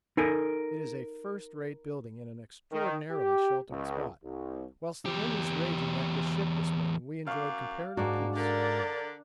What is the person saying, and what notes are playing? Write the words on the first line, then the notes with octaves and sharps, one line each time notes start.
It is a first-rate building in an extraordinarily sheltered spot; whilst the wind was raging at the ship this morning we enjoyed comparative peace.
D#4 A4 A#4 G#5
D#3
G4
C#2
C2
E2 G4
F#2 F5 D6
G#2 A#3 D4 F#4
D3 A#4 D5